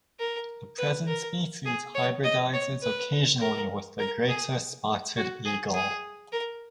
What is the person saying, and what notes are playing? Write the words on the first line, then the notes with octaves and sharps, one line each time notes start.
The present species hybridizes occasionally with the greater spotted eagle.
A#4
B4
A#4
G#4
C#5
D#5
C#5
B4
A#4
A#4
G#4
F#4
G#4
G#4
A#4